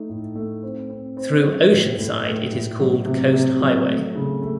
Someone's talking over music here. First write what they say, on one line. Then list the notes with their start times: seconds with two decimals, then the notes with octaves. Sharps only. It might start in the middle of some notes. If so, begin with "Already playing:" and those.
Through Oceanside it is called Coast Highway.
Already playing: A3 D#4
0.09 A2
0.35 A3
0.63 C4
0.90 C4
1.17 C4
1.45 F#3
1.71 A2
1.98 A2
2.26 A2
2.53 A2
2.79 F#3
3.06 C3
3.33 C3
3.61 F#3
3.88 A3
4.15 C#3
4.42 A3